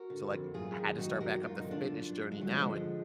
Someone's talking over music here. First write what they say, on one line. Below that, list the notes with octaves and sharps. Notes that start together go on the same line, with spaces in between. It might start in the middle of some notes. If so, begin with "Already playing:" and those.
so like I had to start back up the fitness journey now and
Already playing: F#4 A#4
D3
F2
F#2 F4 G#4
D#3
F#2 D#4 F#4
G#4
D#3 F#4 A#4
F#2 F4
D#4
D3
D4 F4
F#2
F#2
D3 G#3
F#3
D3 F3 G#3
D3